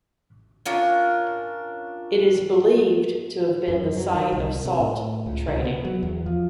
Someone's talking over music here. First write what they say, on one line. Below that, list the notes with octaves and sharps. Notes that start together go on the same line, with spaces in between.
It is believed to have been the site of salt trading.
C#4 D4 F4 A#4
F#2
F#3
D#3
C2
C3
A2
C#2
C#2
B3
F#3
E2
F3